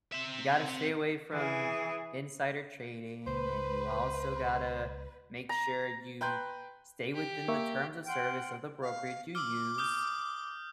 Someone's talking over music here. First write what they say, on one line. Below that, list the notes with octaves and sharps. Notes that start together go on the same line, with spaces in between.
you gotta stay away from insider trading, and you also gotta make sure you stay within the terms of service of the brokerage you use,
C4 E5
E3 G#4
C#2 B4 C5
A#5
B4 G5 A#5 C6 F#6 G6
G4
A#3 E5 C#6
F#5 G5 C6 F6
F5
D6 E6 F6
D#6 F6 G6